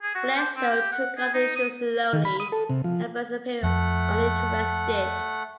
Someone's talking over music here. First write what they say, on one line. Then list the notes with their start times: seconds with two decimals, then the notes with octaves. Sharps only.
Gladstone took up the issue slowly, at first appearing uninterested.
0.02 G#4
0.15 F#4
0.36 C5
0.56 C4
0.70 G4
0.92 F#5
1.17 G#4
1.34 D#4
1.56 D#6
2.13 D#3
2.25 B5
2.40 D#6
2.52 A4
2.69 C3
2.84 F3
3.63 F2 A3 F#5